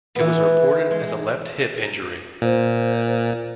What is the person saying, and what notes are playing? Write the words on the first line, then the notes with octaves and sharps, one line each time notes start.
It was reported as a left hip injury.
E3 B3
G#3
A#2 C5